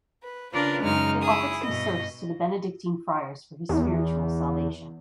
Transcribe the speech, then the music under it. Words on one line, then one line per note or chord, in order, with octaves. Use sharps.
They offered some serfs to the Benedictine friars for his spiritual salvation.
B4
C#3 D4 F4 A#4 B4 D5
F#2 C#3 G#3 D#4 F6
E4 G#4 D#6
G2 B2 D#5
E2